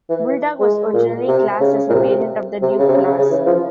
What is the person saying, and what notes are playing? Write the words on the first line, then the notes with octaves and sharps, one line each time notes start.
"Bulldog" was originally classed as a variant of the Duke Class.
E3
G#3
A#2
C3
C#3
A#2
C3
C3
C#3
C3
C#3
C#3
C#3
E3
F3